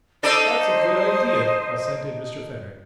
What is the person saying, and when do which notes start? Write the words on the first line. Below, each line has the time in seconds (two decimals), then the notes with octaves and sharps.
"That's a good idea," assented Mr. Fenwick.
0.23 D#4 A4 C5 D5 D#5